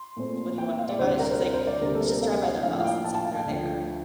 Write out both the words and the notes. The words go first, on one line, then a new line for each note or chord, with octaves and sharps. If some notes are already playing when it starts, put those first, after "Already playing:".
w what do you wanna do about it?" She's, like, "Let's just drive by their house, and see if they're there,"
Already playing: C6
A#2 A3 C4
G5
E5
F5
D5
D2 C3 G3 D4 C5
A#4
C5
A#4
C5
D5
D2 C3 G3 A#3 D4 A#4
A4
A#4
F5
F5
A2 F3 A#3 D4 F5
F5
G5
A5
A5
F5
G5
D2 D3 F3 A3